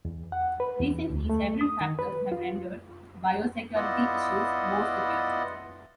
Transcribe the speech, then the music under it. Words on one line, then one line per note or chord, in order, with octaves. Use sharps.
Recently several factors have rendered biosecurity issues more severe.
E2
F#5
B4
E2
D2
A3
D#6
D#3
B4
F4
B3 E4 F4 D5 D#5 F#5